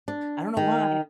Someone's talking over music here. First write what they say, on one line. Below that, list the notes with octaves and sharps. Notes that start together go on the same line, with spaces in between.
I don't know why,
D4
D#3